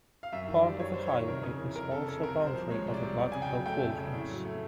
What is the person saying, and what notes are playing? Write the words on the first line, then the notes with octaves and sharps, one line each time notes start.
Part of the highway is also a boundary of the Black Elk Wilderness.
F5
F#2 E5
D#3
D5
G3
F#2 C#5
F#2 C5
C#5
D#3
F2 A#4
C#3
E3
F2 A#4
F2 A4
C#3 A4
C2 A#4
C3
C5
F3
G#3 C#5
C2
D5
C3
F2 D5
C#3 G#5
G5
F#3
A3 G5
F2
C#3
A2
F#3
A3